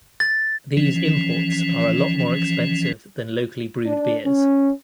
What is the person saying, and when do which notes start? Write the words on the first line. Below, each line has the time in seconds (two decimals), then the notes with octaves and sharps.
These imports are a lot more expensive than locally brewed beers.
0.20 A6
0.77 E3 F3 C#4
3.86 D4
4.25 C#4